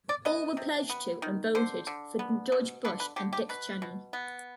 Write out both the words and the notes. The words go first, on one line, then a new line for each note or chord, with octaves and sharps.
All were pledged to and voted for George Bush and Dick Cheney.
D5
B3 D#5
C3
B3
D#3
D3 C5
D3
B3
B2
D3 B4
B4
D3 G4
G4
B2 B4
B2
B3